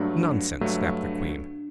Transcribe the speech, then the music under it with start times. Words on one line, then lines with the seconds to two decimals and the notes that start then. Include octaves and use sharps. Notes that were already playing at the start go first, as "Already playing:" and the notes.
'Nonsense!' snapped the queen.
Already playing: G2 F#3 A3 D4
0.61 G2 F#3 A3